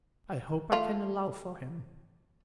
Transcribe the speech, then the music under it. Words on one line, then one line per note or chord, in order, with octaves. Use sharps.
I hope I can allow for him.
A3 F4